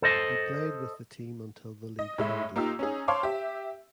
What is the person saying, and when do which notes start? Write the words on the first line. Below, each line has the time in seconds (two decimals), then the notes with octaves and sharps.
He played with the team until the league folded.
0.02 A4 C5 D#5
1.99 D#5
2.18 A2 G#3 E5
2.56 A#3 D#4 F4 G4 E6
2.79 C#4 D#4 G#4
3.08 C5 C#5 F5 A5 C6 D6
3.23 G4 E5